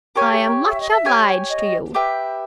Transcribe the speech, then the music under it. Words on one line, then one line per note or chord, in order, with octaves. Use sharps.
"I am much obliged to you."
G4 A#4 C#5 G#5
G#4
A#4
E5
D#5
E5
G4 C#5 G#5
D#5
G4 B4 E5 G5